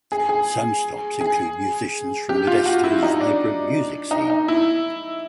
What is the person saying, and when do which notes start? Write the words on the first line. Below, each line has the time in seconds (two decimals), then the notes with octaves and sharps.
Some stops include musicians from Modesto's vibrant music scene.
0.12 G#4
0.29 G#4
1.21 G#4
2.29 G4
2.47 F4
2.66 F#4
2.84 E4
3.03 D#4
3.21 D4
4.11 D#4
4.30 D#4
4.48 E4